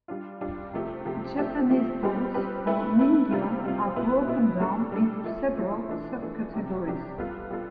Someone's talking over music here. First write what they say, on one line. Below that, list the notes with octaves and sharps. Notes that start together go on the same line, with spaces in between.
Japanese dolls or Ningyo are broken down into several subcategories.
G3 D4 F4
G3 D4 F4
C3 F3 A3 C4 G4
C3 F3 A3 C4 G4
F3 A3 C4 G4
F3 A3 C4 G4
G3 C4 G4 B4
G3 C4 G4 B4
A3 E4 B4
A3 E4 B4
C3 G3 C4 F4
C3 G3 C4 F4
B2 B3 E4 B4
B2 B3 E4 B4
G3 D4 A4
G3 D4 A4
F3 A3 E4
F3 A3 E4
E3 A3 D4
E3 A3 D4
C3 G3 D4 G4
C3 G3 D4 G4
G3 B3 F4 A4
G3 B3 F4 A4